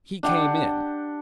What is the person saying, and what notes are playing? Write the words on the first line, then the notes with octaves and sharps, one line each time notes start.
He came in.
D4 G4 F#5